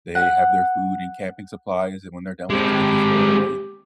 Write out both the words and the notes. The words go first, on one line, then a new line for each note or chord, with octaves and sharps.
they have their food and camping supplies, and when they're done with it, they just throw it away.
F#5
G#3 C4 G4